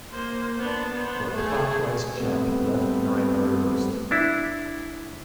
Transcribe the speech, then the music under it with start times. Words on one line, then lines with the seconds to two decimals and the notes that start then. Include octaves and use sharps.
For a clockwise jump, left and right are reversed.
0.12 A#3 C5
0.59 B3 D4
0.92 B3 C5
1.31 A3 G#4
2.16 G3 A3 B3 C4
4.11 D4 E4